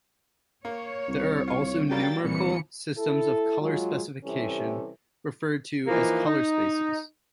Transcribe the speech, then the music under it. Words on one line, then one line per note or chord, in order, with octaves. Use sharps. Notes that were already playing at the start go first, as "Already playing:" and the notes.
There are also numerical systems of color specification, referred to as color spaces.
A#3 C#5
C2
F4 C#6
F#3 G3 A#3 G5 A6
C2 A#2 E3 C#7
E4 A4
F#3 G#3 F4
C3 E3 G3 C#4 E4 A4
E3 F3 A#3 D#4 F4
D#4